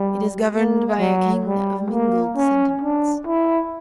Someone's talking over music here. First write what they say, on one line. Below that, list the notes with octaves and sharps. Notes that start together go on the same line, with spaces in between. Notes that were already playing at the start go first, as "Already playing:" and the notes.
It is governed by a king of mingled sentiments.
Already playing: G3
A#3
F#3
G3
A#3
C#4
D4
E4